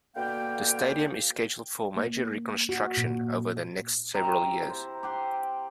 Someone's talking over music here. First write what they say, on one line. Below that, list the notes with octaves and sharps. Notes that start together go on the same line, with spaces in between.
The stadium is scheduled for major reconstruction over the next several years.
B2 D3 A#3 F5 G5
A#3
F#4
A#2
C3 E4 F#5 A#5
C5
G4 F#5 C6